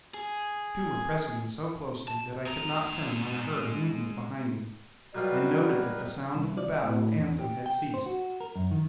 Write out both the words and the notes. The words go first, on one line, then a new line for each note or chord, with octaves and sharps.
Two were pressing me so closely that I could not turn when I heard a movement behind me, and noted that the sound of the battle anthem had ceased.
G#4
A5
G#3 A#5
B1 G3 F4 F#4 A#4 B4 D5
C2
D5
A2
E2
G4
G5
C5
F#4
A#4
F#2
D#3